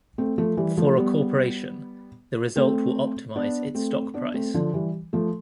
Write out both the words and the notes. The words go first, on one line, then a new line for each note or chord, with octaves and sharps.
For a corporation, the result will optimize its stock price.
A3 C4
F3 A3
E3 G3
F3 A3
G3 B3
A3 C4
B3 D4
A3 C4
B3 D4
A3 C4
D3 F3
E3 G3
F3 A3